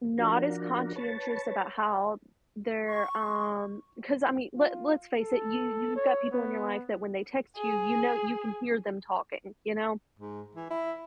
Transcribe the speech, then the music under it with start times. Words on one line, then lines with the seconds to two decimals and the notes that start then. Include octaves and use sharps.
Not as conscientious about how they're, um 'cause I mean, let let's face it, you you've got people in your life that when they text you, you know you can hear them talking, you know?
0.18 F3 D4 F#4 A#4
0.96 B4 C#5 A5
2.86 C#6
4.57 F4
5.20 A4
5.96 C#5
6.31 B3
7.57 G#4
10.19 G#2
10.55 E3
10.70 E4